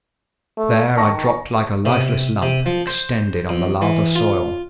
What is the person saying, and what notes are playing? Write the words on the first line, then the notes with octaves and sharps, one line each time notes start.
There I dropped like a lifeless lump, extended on the lava soil.
A3
D#3 A5 C#6 A#6
C3
C3
F3
C5
F2
E3
F4